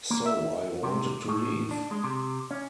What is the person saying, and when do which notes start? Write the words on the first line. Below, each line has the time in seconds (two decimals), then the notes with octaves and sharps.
So I wanted to leave.
0.10 A#3
0.26 E5
0.83 C3
1.28 A2
1.71 D4
1.91 G#3
2.04 C3
2.51 C#4